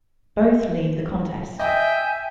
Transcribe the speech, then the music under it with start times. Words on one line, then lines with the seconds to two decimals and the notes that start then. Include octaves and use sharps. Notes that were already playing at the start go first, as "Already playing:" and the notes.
Both leave the contest.
1.60 D#5 E5 G5 G#5